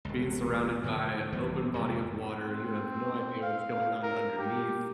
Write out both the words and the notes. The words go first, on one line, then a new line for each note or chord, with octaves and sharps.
Being surrounded by open body of water, you have no idea what's going on underneath.
E1 C#2
A2 D3 F3
F#1 E3 G3 B3
F2 C3 G#3
C4
F5
A#4
G4